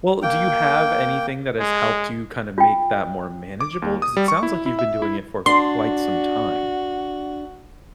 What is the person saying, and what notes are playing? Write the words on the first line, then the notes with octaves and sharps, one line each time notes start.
Well, do you have anything that has helped you kinda make that more manageable? 'Cause it sounds like you've been doing it for quite some time.
A#3 G5
G#3
F4 G5
D6
D#2
D#6
G3
C#6
E4
E4
E5
E4
D4 F#4 C6